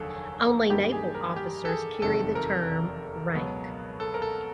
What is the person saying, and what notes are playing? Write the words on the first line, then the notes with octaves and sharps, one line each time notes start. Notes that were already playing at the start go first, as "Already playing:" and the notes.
Only Naval Officers carry the term "rank".
Already playing: F1 D#2 D3 F#3 G#4 A4
G2 D#3 F#3 A#3 G4
G#4
A#4
G4
A4
G#4
F1 E2 C3 D#3 F#3 A4
A#4
C#2 B2 F#3 B3
A4
A#4
A4